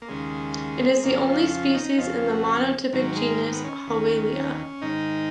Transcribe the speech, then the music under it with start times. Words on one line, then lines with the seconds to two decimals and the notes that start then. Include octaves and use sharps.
It is the only species in the monotypic genus Howellia.
0.02 A#3
0.08 D#2 C#3 G#3
0.96 G#3
1.03 F2 C#3 A#3
1.27 F4
1.51 F4
1.74 D#4
1.98 F2 C#3 F4
2.29 F#4
2.93 G#2 D#3 F#3
3.16 G#3
3.52 B3
3.64 C#4
3.87 D#2 D#3
4.82 G#2 D#3 D#4